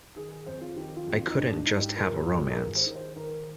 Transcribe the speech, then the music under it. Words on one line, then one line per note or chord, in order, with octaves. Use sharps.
I couldn't just have a romance.
D#3 G#4
F2 C5
F4
D#3 G4
F4
F2 G4
F4
D#4
G#2 D4
D4
G#2 D#4
G4
F3 A#4
G#4
G#2 F4
G4
A#4
D#3 G#4
C5
D#3
C5
D#3 A#4